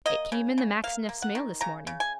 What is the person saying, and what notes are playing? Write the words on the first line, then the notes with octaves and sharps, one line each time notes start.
'It came in the Maxineffs' mail this morning.
A#3 D#5
C#3
C#3
A#3 F5
A#3
F#5
D#3
C#3 A#5
C#3
G#5